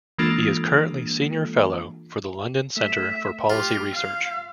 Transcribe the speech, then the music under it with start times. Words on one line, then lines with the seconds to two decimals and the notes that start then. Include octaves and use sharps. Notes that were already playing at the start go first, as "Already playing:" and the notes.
He is currently Senior Fellow for the London Center for Policy Research.
0.18 E3 G#3 A#3 D4 F4 A4
2.77 A3 E5
3.50 F4 G4
3.93 F5